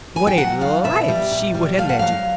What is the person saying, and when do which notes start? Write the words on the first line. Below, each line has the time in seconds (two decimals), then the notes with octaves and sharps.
What a life she would have led you!'
0.16 G#5
0.27 G5
0.37 F#3 F#5
0.61 D#3 F5
0.84 B2 E5
1.08 G3
1.31 A#2
1.54 G3
1.78 A3 F5
1.89 F#5
1.99 F#3 F5